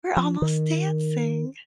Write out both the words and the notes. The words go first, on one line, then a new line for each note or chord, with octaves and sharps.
"We're almost dancing."
F3
D#3